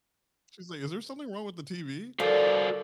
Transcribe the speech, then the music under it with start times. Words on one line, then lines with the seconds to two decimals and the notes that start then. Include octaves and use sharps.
She's like, "Is there something wrong with the TV?"
2.20 D3 F#4 A4 A#4 C5 F5